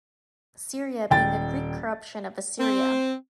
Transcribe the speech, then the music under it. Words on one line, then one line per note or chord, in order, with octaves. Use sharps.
Syria being a Greek corruption of Assyria.
D#1 G5 A6
C4